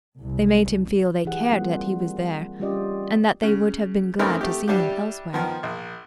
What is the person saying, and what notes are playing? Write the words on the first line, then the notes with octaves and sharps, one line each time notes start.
They made him feel they cared that he was there, and that they would have been glad to see him elsewhere.
C2
E3 G4 G#4 F#5
G3 A#3 C4 F4
G3 C#4 F4 G4 D5 D#5
C#3
A3 C4 C#4 D#4 A#4 B4
A3 G4
G3 D4 E4 G4
D#3 F3 B3
A#1